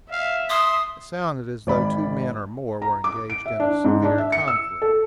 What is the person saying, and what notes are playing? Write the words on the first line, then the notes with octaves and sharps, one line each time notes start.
It sounded as though two men or more were engaged in a severe conflict.
E5 F5
C6 D#6
G#1 D5 B5
A#5
D6
D7
E5
D4
G#2
D4
E5
C#7
E6
A4